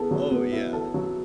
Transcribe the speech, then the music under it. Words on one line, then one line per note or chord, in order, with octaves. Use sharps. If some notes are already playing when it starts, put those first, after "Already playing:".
Oh, yeah.
Already playing: B3 E4 G#4 A4
F#3
B3
E4
A4
F#3